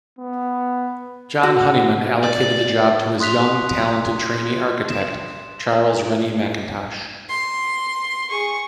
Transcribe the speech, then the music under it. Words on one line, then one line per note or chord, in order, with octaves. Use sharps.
John Honeyman allocated the job to his young, talented, trainee architect, Charles Rennie Mackintosh.
B3
F#4 F#5
D5
C6 D#6 F#6 B6 F7
E7
C6
G#4 C#6